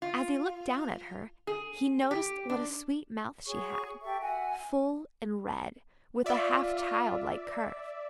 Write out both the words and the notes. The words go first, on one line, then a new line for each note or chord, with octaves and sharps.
As he looked down at her he noticed what a sweet mouth she had--full and red, with a half child-like curve.
F4
G#4
G4
D4
F#4 G#4 C#5 C#6
G4 A4 E5 C#6
F#4 E5 F#5 G#5
F4 D5 E5